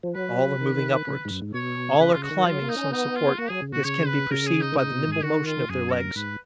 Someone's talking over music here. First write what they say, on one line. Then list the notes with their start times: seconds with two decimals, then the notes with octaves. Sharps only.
All are moving upwards, all are climbing some support, as can be perceived by the nimble motion of their legs.
0.03 F3
0.15 F#3 B4
0.61 D#3
1.07 C#3
1.25 G#2
1.30 F#2
1.42 G#2
1.54 B2 C#5
2.00 C#3 B4
2.13 C#3 F4
2.23 F#4
2.31 D#3
2.46 F#3 F4
2.61 A#3
2.69 D#4
2.76 C#4
2.91 B3 D#4
3.15 F4
3.38 A#3 F#4
3.49 F#3 G#4
3.62 C#3
3.73 B2 F#4
3.84 C#3 C#5
4.07 B4
4.31 C#3 A#4
4.47 G#4
4.61 D#4
4.72 D#3
4.77 C#3 D#4
4.92 B2
5.08 G#2 G#4
5.23 D#3 F#4
5.46 F4
5.69 F#2 G#4
5.92 A#4
6.15 G#2 B4